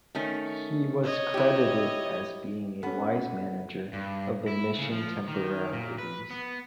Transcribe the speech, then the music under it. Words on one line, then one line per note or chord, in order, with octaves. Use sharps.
He was credited as being a wise manager of the mission temporalities.
D#3 A3 C#4
C#5 D#5
E4 G4
B3 C#4 A4
G2
E4
C#3
F3
D#3
A#2
B4
B3